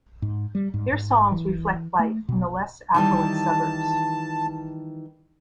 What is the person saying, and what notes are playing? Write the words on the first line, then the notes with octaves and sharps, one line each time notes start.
Their songs reflect life in the less affluent suburbs.
G#2
G3
G#2
G#2
E3
A3
B2
D#3 E3 G3 A5